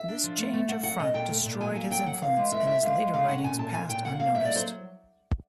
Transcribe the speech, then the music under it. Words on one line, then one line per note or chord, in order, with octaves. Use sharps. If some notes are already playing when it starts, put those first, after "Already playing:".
This change of front destroyed his influence and his later writings passed unnoticed.
Already playing: E5
D4
F3
A3
A3
A3 F#5
F#3 F#5
A#2 D#5
A#2 G5
A3
A#2
F#3 G#5
A#3 G#5
F#3 G5
F#3 F#5
E3 F5
G#3
B3 E5
B3 E5
G#3 F5
G#3
C3 F5
C#4 F#5
A#2 G#5
A#2 A5
A#2 G#5
A#2 G5
A#3 F#5
F#3 F5
A#3 E5
D5
F#3
C5